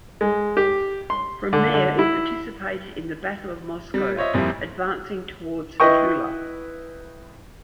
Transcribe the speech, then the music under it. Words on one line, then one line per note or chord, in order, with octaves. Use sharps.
From there it participated in the Battle of Moscow, advancing towards Tula.
G#3
G4
C6
D3
D3
E4
G3
F4 C5 C#5 D#5 E5
F2 A#2 F3 G3 E4
E4 B4 D#5 G5 C#6